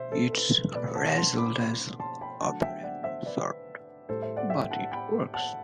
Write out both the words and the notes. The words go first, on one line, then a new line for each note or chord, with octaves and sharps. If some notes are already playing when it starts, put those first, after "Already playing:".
It's razzle-dazzle of a random sort, but it works.
Already playing: B2 C5 E5 C6
A4 C5
A4
B4
B2 A3 B4 D5
F#5 A5
A5 C6
B5 D6
B5 D6
A5 C6
G5 B5
D3 F#3 A3 F#5 A5
E5 G5
D5 F#5
C5 E5
B4 D5
A2 G3 A4 C5
C5 E5
D5 F#5
E5 G5
F#5 A5
G5 B5
F#5 A5